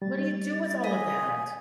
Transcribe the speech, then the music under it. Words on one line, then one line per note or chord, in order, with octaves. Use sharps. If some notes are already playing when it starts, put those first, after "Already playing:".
What do you do with all of that?
G3 A6
D#5 G#5 B6